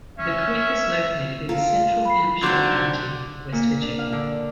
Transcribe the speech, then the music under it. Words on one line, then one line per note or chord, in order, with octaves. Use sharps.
The creek is located in central Hampshire County, West Virginia.
C#4 E5
F4 A4 A#4
B5 C7
D3 F#3 C4 D#4 C6 D6 G6
A#2
D4
F5
D3